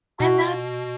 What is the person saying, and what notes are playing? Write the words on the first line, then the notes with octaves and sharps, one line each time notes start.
and that's
B2 F#4